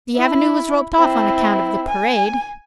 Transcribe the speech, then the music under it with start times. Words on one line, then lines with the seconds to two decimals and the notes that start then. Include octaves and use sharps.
The Avenue was roped off on account of the parade.
0.16 E4
0.99 C4 E4
1.88 G#5